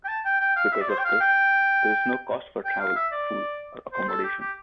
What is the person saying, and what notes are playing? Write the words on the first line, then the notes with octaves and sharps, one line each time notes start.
Because of this there is no cost for travel, food, or accommodation.
G5
A5
G5
G5
F5
E5
D5
C5
G5
F5
G5
G5
F5
E5
D5
C5
A4
G4
G4